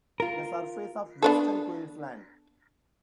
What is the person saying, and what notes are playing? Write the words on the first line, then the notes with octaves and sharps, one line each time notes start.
The surface of western Queensland.
F4 A#4
B3 D4 A4